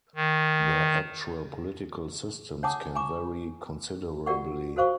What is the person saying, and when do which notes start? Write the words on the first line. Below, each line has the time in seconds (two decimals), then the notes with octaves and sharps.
Their actual political systems can vary considerably.
0.16 D#3
2.63 C#5 F#5 G#5 A5 D6 D#6
2.95 G#5 A#5 C#6 D6
4.26 F4 G4 A#4 D5 F#5 C#6
4.76 F#4 A4 A#4 C5 F5 C#6